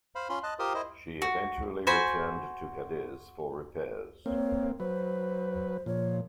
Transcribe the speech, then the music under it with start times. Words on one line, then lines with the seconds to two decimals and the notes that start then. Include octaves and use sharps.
She eventually returned to Cadiz for repairs.
0.15 C5 F5 B5
0.29 C#4 F4 B5 C6
0.43 D#5 A5 F#6
0.59 F4 G4 A#4 C5 C6 D#6
0.74 E4 C5 D#5
1.22 F#4
1.87 F#4 C5 G#5 B5
4.26 A#3 C4 C#5
4.80 F#3 B4 C5
5.86 A#2 F3 C#5